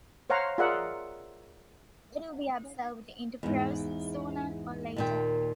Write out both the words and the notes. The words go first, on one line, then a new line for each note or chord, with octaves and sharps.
It'll be absorbed into prose sooner or later.
C5 C#5 F5 F#5 A#5
F4 G#4 A#4 D5 E5 F#5
E2 G#2
D#2 A#2 G5